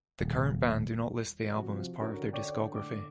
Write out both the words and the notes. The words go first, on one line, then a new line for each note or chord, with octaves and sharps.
The current band do not list the album as part of their discography.
D#1
C3 F3 F#4
D3 C#4 F#4 A#4
C#5 D5 G5
A2 D6